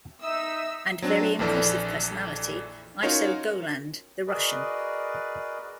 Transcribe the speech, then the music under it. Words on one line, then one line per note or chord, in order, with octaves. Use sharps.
And a very impressive personality: Iso Golland, the Russian.
D#4 E5 D#6 E6
F#3 C4 D4
A#1 F2 E3 A4 D5
C#4 D#4 F4 F#4 A#4 C#5
F#4 G#4 A#4 B4 D5 D#5